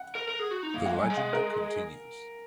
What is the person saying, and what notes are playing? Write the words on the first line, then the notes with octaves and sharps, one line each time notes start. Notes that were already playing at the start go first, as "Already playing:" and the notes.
The Legend Continues!
Already playing: F#5
A#4
A#4
G#4
F#4
D#4
A#3
A#3 F#5
G#3
F#3 G#5
G#3
F#5
A#4